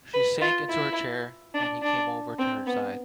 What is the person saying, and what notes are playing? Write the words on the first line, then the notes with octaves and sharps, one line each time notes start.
She sank into her chair, and he came over to her side.
B4
F4
E4
D4
D4
C4
B3